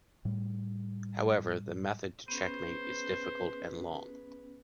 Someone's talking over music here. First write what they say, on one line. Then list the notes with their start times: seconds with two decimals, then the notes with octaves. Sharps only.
However, the method to checkmate is difficult and long.
0.25 A2 G3
2.28 B3 C#4 G#4 B4 C5